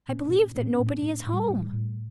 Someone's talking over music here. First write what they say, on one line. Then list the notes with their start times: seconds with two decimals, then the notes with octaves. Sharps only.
"I believe that nobody is home."
0.08 A#2 C#4
0.32 A#2
0.55 A2 B3
0.63 C4
0.71 C#4
0.79 A2
0.86 C#4
1.02 A2 D4
1.27 A2
1.34 G3
1.49 A2
1.73 A2